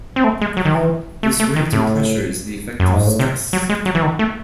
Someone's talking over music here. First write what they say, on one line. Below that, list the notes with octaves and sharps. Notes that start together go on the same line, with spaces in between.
This weight and pressure is the effective stress.
C4
A3
G#3
F#3
D#3
E3
A3
A3
D#3
A2
F#2
G#2
A2
C3
F#3
G#3
F#3
E3
D#3
A3